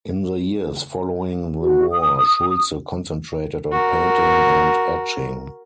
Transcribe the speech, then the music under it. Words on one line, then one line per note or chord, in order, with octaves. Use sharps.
In the years following the war, Schulze concentrated on painting and etching.
F#4
D#6
F#4 A#4